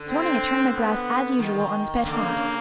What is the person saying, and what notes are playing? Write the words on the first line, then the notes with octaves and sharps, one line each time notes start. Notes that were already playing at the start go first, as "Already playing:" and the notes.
This morning I turned my glass, as usual, on his pet haunt.
Already playing: D3
C4
B3
D#3
D3 A#3
C#3
C#3